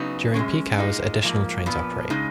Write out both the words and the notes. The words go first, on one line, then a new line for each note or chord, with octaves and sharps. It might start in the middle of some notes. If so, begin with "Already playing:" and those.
During peak hours additional trains operate.
Already playing: C#3 F#3 B3 D#4
F#2 C#3 G#3 C#4
A#2 G#3 D#4
G#2 F3 A#3
A#2 F3 B3
C#3 G#3 D#4